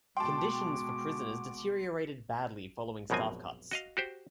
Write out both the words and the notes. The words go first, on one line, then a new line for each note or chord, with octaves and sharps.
Conditions for prisoners deteriorated badly following staff cuts.
B2 G#3 F#4 G5 A5 C6 D6
A#1 F#2 B2 G#3 C4 G#5
F#4 D#5 F5
F#4 G4 C5